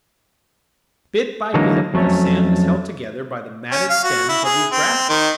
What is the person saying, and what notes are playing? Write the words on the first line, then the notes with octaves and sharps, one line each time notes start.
Bit by bit, the sand is held together by the matted stems of these grasses.
D3 E3 F#3 G#3 A#3 D#4
F2 F#3 G#3 A3 C#4
C#4
F5
F#4
E4
G#4
C4
D#3